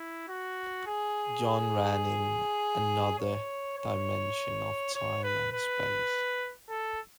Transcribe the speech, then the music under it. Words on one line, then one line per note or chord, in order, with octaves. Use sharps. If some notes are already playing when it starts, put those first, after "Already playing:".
John ran in another dimension of time and space.
Already playing: E4
F#4
G#4
C#5
C#5
C#5
B4
B4
A4